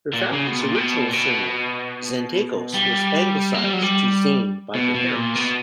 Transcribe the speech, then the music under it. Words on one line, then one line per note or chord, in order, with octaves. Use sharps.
Her family's original surname, "Zanetakos", was anglicized to "Zane" by her parents.
A#2
C#3
B2
A#2
B2
A#2
B2
G3
A#3
G3
F#3
G3
B2
B2
A#2
B2